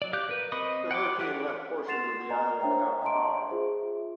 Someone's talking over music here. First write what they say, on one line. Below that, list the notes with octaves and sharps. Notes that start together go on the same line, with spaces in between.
The hurricane left portions of the island without power.
F#3 D5
G4 F5 D6 F#6 G6
A#4 B4
C4 D#5 B5 C#6 D#6
F#5 G5 C6 D6
E3 G4 F#6
F#5 C6 A6 C7 E7 F7
A#4 D5 D#5 G#5 A#5
D4 C5 C#5 E5 G5 A#5
D#5 E5 A5 A#5 C6 D7
F4 G#4 C5 E5